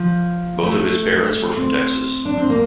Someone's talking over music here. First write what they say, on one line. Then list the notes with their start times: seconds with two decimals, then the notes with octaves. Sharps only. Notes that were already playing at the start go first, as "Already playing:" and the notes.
Both of his parents were from Texas.
Already playing: F3
0.63 A3
1.57 C4
2.25 D4
2.37 C4
2.50 A#3